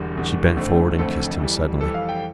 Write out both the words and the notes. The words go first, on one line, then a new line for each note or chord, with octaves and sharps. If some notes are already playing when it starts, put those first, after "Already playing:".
She bent forward and kissed him suddenly.
Already playing: E1 E2 D3 G3
E1 E2 D3 G3
F1 F2 D3 A3 C4
F1 F2 D3 A3 C4 A4
F2 E3 G3
F2 E3 G3 A4
F5
G5